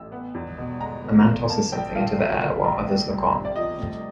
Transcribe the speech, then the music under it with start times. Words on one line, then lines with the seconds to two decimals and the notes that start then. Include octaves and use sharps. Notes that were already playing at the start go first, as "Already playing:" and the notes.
A man tosses something into the air while others look on.
Already playing: A1 E6
0.12 B3
0.35 E2
0.58 B2
0.81 G#3 A#5
1.03 B3
1.26 E2
1.49 A#3 A5
1.72 A#1 G5
1.95 A#2 F5
2.18 F#3 E5
2.41 A#3
2.64 A#1
2.87 A3
3.10 C2
3.34 C3
3.45 D5
3.56 F3 D#5
3.79 A3